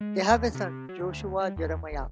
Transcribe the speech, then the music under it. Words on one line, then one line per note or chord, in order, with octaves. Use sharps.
They have a son, Joshua Jeremiah.
G#3
D#2
C3
F#3
D2
G3
E2
F1